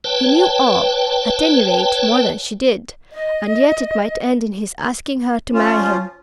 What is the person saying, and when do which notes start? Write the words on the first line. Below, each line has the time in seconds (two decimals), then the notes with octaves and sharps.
He knew all--at any rate, more than she did--and yet it might end in his asking her to marry him.
0.04 B4 C#5 G5 A5
3.13 D#5
5.53 F3 C#4 F4